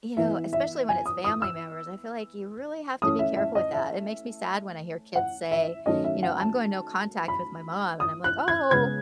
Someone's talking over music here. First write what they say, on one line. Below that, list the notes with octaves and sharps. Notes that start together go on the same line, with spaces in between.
you know, especially when it's family members, I feel like you really have to be careful with that. It makes me sad when I hear kids say, you know, "I'm going no contact with my mom," and I'm like, "Oh,
E3 B3 E5
E5
G#5
D#6
D#6
E6
E3 A3 C#4 D#6
E5
E5
D#5
E5
F#5
E5
D#3 F#3 A3 C#4 D#5
E5
F#5
A5
B5
D#6
F#6
G#6
C#3 G#3 B3 G#6